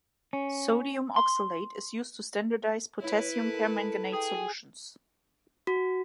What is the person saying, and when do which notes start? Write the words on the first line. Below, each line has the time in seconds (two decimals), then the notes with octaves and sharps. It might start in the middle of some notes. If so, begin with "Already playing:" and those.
Sodium oxalate is used to standardize potassium permanganate solutions.
0.33 C#4
1.16 C6
3.01 E4 B4 C#5
3.38 A4 A#4
4.14 G#4 G5
5.67 F#4